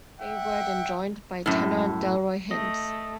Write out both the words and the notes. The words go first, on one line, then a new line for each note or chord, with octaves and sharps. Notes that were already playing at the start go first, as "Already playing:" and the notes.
They were then joined by tenor Delroy Hinds.
E5 F#5 G5
F#2 A2
A3 D#5